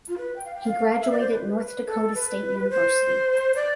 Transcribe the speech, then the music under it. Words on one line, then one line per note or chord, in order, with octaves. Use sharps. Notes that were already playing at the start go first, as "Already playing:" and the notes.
He graduated North Dakota State University.
F4
B4
G5
F5
G5
F5
E5
D5
C5
B4
B4
A4
B4
C5
D5